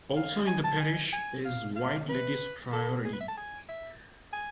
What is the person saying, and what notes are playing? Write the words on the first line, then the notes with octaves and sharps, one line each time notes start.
Also in the parish is White Ladies Priory.
F5
G#5
A5
G#5
G#5
F5
F5
B4
A4
G#4
B4
E5
A5
G#5
E5
G#5